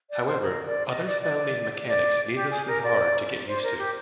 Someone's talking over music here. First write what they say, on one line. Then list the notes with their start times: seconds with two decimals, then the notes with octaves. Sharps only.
However, others found these mechanics needlessly hard to get used to.
0.10 D5
0.27 C5
0.42 A#4
0.67 D5
0.90 D#5
1.06 D5
1.22 D5
1.87 D5
2.35 G4
2.51 G#4
2.67 A#4
2.83 D5
3.47 C5
3.63 A#4
3.79 G4